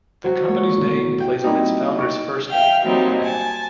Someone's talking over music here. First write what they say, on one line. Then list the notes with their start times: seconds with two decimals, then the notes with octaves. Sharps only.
The company's name plays on its founder's first name, Matt.
0.24 F#3 C5 F#5
0.48 G#3 A#3 C#5
0.78 A1 B2
1.20 G4 G5
1.44 G3 A#3 C4 D#4 E4
1.99 C#6 D7
2.48 E5 F5 G5 F6
2.83 F#3 G3 A#3 C4 D#4
3.22 G#5 A5